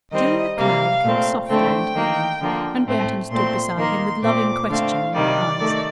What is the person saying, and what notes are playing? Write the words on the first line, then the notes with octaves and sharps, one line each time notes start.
Julia Cloud came softly into the room, and went and stood beside him with loving question in her eyes.
D#3 G3 C4 D#5
C3 G3 A#3 F5
A#2 A3 C4
D3 A3 C4 G5
D#3 A#3
D3 F3 A#3
A2 A3 C4
A#2 A3 C4 C6
D#3 A#3 C6
A#2 A3 C4 D6
D3 A3 C4 F5
C3 D#3 G3 D5
D#3 A3